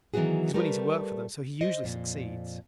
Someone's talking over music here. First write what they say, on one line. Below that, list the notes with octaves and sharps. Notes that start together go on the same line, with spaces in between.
He is willing to work for them, so he usually succeeds.
D#3 E3 F#3 B3 F#4 G#4
G3 A3 G4 A#4 B4
C5 D#5
F2 A#2